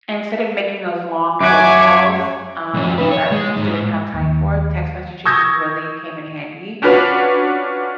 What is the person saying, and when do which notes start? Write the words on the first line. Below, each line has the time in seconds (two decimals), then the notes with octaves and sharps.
and instead of making those long phone calls, um, that we just didn't have time for, text messaging really came in handy.
1.41 F#2 F#4 C#5 E5 G#5 D6 G#6
2.74 F2 C#4
2.98 D#4 B4
3.11 C#5
3.31 G#3
3.57 G#2
4.14 D#2
5.25 C#6 D#6 E6 G6 G#6 A#6
6.82 C#4 D4 F4 F#4 B4 C#5